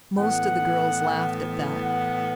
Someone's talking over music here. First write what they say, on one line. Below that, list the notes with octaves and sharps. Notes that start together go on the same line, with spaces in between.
Most of the girls laughed at that.
A2 E3 B3 F#5
F#5